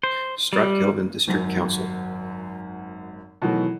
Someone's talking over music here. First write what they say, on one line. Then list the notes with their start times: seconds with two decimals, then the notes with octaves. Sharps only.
Stratkelvin district council.
0.03 C5
0.53 G3
1.28 G#1 F#2
3.42 B2 D#3 E3 F#3 A3